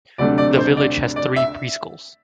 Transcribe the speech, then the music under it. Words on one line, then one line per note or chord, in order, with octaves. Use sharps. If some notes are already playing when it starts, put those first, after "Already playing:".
The village has three Preschools.
D2 C3 F#3 A3 D4 D5
D5
C5
D5
D5
E5